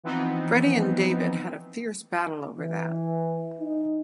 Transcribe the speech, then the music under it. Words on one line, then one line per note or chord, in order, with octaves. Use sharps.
Freddie and David had a fierce battle over that.
E3 F3 B3 C4 D#4
E3
D#4